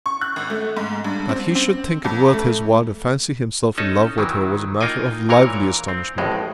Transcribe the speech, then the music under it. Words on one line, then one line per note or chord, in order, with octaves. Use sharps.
That he should think it worth his while to fancy himself in love with her was a matter of lively astonishment.
C#6
F#6
G#1
A3
G#2
G2
C4
C4
F2
A3
C#4 D#4 A4
D#3 E3 F#3
A#3 D#4 F4 G5 G#5
A#2 E3 A#4 C#5
C4
A1 F2 A2 G#3